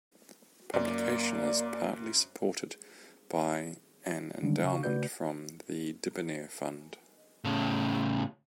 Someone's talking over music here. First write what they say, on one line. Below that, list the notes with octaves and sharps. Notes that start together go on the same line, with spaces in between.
Publication is partly supported by an endowment from the Dibner Fund.
F#2 A#3 D5
D3 D#3 G3 G#3 C#4 D4
C#3 F#4 F5 C#6
C#3 A3 F#4 B4 D5 G6
A2 C#3